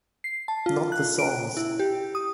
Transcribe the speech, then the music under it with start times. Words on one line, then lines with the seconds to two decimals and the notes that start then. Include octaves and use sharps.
Not the songs.
0.24 C7
0.48 A5
0.66 F4
0.92 F#6
1.19 D7
1.57 E4
1.79 G4
2.15 D#6